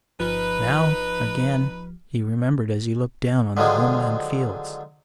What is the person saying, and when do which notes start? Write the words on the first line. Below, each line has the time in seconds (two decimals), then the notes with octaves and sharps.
Now, again, he remembered as he looked down on the homeland fields.
0.19 G1 F3 D#4 B4
3.57 D3 D#3 F3 F#3 G#3